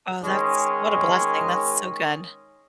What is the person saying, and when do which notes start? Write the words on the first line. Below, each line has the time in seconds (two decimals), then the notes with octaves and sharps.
Oh, that's what a blessing, that's so good.
0.24 D#3 G#3 C#4